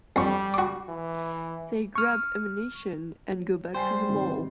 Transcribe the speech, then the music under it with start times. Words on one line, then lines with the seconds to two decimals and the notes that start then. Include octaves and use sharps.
They grab ammunition and go back to the mall.
0.16 F2 G3 C#6
0.54 F#4 D6
0.89 E3
1.95 C#6 F6
3.31 F#3
3.75 G3 C5 G5 G#5 C7
4.09 G#1 C3 D#4